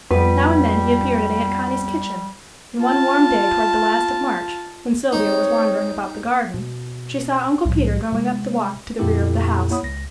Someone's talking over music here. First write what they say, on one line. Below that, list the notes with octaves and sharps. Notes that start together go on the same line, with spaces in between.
Now and then he appeared at Aunt Connie's kitchen, and one warm day toward the last of March, when Sylvia was wandering about the garden, she saw Uncle Peter going up the walk to the rear of the house.
F2 G3 B3 B4
F4 A5
C4 D#4 C#5
B2
C2 A2 F3
C3 G#3
F2 A#2 B3 E4 G4 A4
A#3 E4 C#5 F#5 B5 D#6
C#2 A#6